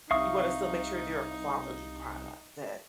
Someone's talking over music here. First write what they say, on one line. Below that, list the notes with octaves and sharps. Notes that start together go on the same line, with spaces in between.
you want to still make sure they're a quality product that
C2 D#4 E5 F5 C#6 D#6